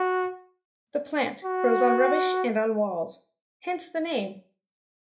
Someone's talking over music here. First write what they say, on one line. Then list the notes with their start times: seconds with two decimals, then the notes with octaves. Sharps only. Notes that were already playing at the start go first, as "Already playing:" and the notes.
The plant grows on rubbish and on walls, hence the name.
Already playing: F#4
1.44 F#4